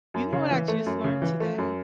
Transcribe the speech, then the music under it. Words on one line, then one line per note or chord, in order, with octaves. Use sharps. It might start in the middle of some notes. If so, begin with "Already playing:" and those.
you know what I just learned today?
F#2
C#3
E3
A3
F#2
C#3
E3
A3
F#2